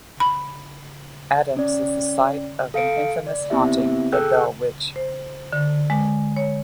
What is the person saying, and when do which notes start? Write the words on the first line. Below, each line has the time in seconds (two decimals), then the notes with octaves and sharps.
Adams is the site of an infamous haunting, the Bell Witch.
0.20 B5
1.57 C#4 D5
2.74 A4 F5 C#7 D7
3.27 D5
3.50 B3 C4 E4 G4 E5
4.12 G#4 A4 G5 E6 F#6 G6
4.96 C5
5.53 D3
5.90 G#3
6.37 C#5